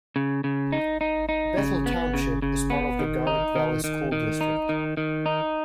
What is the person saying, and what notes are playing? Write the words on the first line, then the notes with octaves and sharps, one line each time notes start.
Bethel Township is part of the Garnet Valley School District.
C#3
C#3
D#4
D#4
D#4
C#3
B3
C#3
C#3
B3
D#3
D#4
D#3
D#3
D#3
D#4
D#3
D#3
D#4